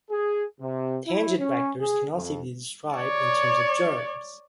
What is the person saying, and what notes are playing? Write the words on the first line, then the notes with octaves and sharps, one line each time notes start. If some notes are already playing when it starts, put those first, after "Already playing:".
Tangent vectors can also be described in terms of germs.
G#4
C3
E4
C#4
G#4
F2
C#5 D5